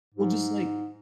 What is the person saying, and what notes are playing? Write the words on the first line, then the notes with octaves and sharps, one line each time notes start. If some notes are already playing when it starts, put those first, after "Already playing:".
Well, just like
G#2